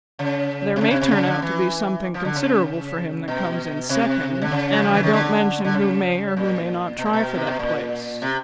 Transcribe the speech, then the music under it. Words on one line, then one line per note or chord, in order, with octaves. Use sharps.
There may turn out to be something considerable for him that comes in second, and I don't mention who may or who may not try for that place.
C#3
C3
C#3
C3
C3
C#3
D3
E3
F3
D3
C#3
B2
C3
D3
C#3
F#3
F3
E3
D#3
D3
D3
C#3
A#2
B2
A#2
B2
C3
B2
A#2
C3